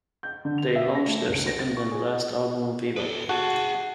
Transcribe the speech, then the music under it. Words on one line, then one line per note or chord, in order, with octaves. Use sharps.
They launched their second and last album Viva!
G6
D3
F7
E5
A#6
A3
C#2
A#6
A6
C#6
G#4
A4 B4
F#4 G#4 A5